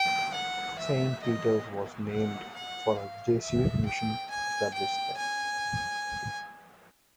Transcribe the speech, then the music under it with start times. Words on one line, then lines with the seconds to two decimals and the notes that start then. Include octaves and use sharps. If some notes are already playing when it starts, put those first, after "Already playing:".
Saint Peters was named for a Jesuit mission established there.
Already playing: G5
0.34 F#5
0.79 E5
1.23 D#5
2.10 F#5
2.55 F#5
2.98 F5
3.42 E5
3.85 G5
4.31 G#5
4.74 G5
5.17 G#5